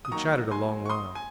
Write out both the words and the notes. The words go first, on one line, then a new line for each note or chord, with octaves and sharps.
We chattered a long while.
D#6
D#3 F#3 A#3 D#4 A#5 C#6
G#5 C6
C#6
C6 D#6
G#5